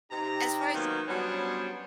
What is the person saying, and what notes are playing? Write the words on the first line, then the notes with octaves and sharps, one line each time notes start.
as far as
C3 D#4 G4 A#5
D#3 F#3 A#3 B3 C#4
F#3 G3 B3 C#4 D4 C5